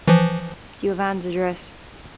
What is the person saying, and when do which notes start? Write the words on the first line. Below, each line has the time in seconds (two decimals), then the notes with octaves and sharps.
Do you have Anne's address?
0.08 E3 F3